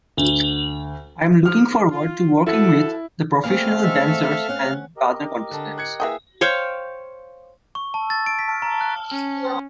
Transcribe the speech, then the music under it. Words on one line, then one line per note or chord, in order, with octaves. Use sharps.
I'm looking forward to working with the professional dancers and the other contestants.
D2
G#2 F3 F6
F4
F3 E4 F#4 A4
G3 A3 A#3 C4 G#4 F5
G#3 A4 E5
C#4 F#5
G4 A#4 D#5
D3 A5
F#6 G#6 C#7
E3 A#3 G#4 E5 G5 D#6
C5 C#5 F5 G5
C#6
A5
A6
D7
B6
A#5
F#6
C#4